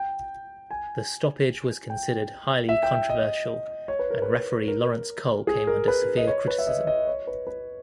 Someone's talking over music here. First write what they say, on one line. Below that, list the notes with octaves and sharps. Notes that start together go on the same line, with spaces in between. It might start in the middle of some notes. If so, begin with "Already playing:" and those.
The stoppage was considered highly controversial and referee Laurence Cole came under severe criticism.
Already playing: G5
G#5
G5
E5
G5
D#5
C#5
B4
A#4
B4
A#4
G#4
A#4
B4
D#5
C#5
B4
E5
D#5
D#5
C#5
B4
B4